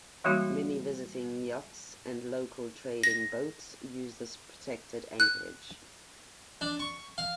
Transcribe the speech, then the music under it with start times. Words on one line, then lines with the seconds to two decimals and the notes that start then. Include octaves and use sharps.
Many visiting yachts and local trading boats use this protected anchorage.
0.24 E3 G3 G#3 A#3 D#4 F#4
3.04 A#6
5.20 F#6
6.61 D4
6.80 C#6
7.18 F5